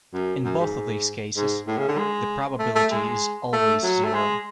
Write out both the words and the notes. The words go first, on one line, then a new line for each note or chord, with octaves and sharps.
In both of these cases the probability is always zero.
F#2
F#2
G#2
G#2
A2
C#3
D3
G#3
A3
A3
G#3
A3
F#3
A3
G#3